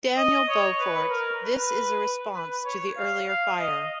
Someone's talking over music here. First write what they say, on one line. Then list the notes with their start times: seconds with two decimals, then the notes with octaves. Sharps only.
Daniel Beaufort, this is a response to the earlier fire.
0.17 D#5
0.48 C#5
0.79 B4
1.10 A#4
1.42 B4
2.35 B4
2.65 C#5
2.97 F5
3.27 F5
3.58 D#5